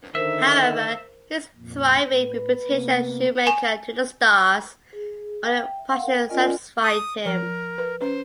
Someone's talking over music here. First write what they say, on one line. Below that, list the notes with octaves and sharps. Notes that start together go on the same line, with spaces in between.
However, his thriving reputation as 'Shoemaker to the Stars' only partially satisfied him.
D3 D#3 A#4 C5 E5
F2 A#2
A2 B4
C3 A#3 B3
G#5
G#4
E5 G5
F5 F#5
A#4 G5
C#4 F4 A#4 D5 D#5 G#5
D#6
F3 A#4
B4
C#4 B4 C5